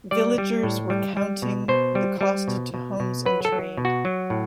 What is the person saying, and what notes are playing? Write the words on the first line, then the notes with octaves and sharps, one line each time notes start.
Villagers were counting the cost to homes and trade.
G3 D5
G3
A2
G3
G3
B2
B2 C5
G3
G3
B2
B2
B2
F#3 B4
A4
F#3
B2
F#4
F#3
A2